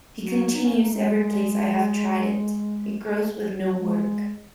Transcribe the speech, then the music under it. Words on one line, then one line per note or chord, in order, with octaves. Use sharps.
He continues Every place I have tried it, it grows with no work.
F#3
D#4
C#4
B3
A#3
G#3
G#3